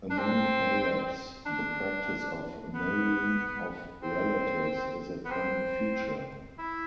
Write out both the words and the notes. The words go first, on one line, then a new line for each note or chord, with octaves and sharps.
Among Arabs the practice of marrying of relatives is a common feature.
D4
C4
D4
B3
C4
B3
C4
E4